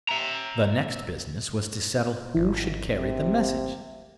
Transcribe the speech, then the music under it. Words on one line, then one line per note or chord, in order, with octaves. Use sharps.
The next business was to settle who should carry the message.
E5 A#5
G#1
C3